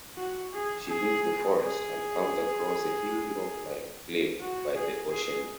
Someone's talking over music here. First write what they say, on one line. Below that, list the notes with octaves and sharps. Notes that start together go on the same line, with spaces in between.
She leaves the forest and comes across a huge rock-like cliff by the ocean.
F#4
G#4
G#4
G#4
F#4
G#4
G#4